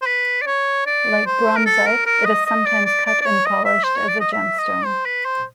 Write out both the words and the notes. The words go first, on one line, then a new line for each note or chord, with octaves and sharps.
Like bronzite, it is sometimes cut and polished as a gemstone.
C5
B4
D5
C#5
D5
C5
A#4
A4
A#4
A#4
D#5
D#5
D5
D5
D5
D5
C#5
D#5
E5
C5
C#5
D5
D#5
E5
D#5
C5
B4
C5